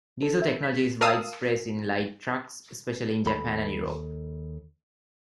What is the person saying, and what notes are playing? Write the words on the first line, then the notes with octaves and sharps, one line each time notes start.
Diesel technology is widespread in light trucks, especially in Japan and Europe.
A4
E5
B6
A#4 F5 A5 D#6 E6
D#2 A4 B5